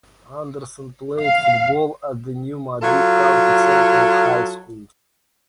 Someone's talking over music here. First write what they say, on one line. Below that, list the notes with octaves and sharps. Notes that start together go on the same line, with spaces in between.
Anderson played football at New Madrid County Central High School.
F5
F#3 F4 A4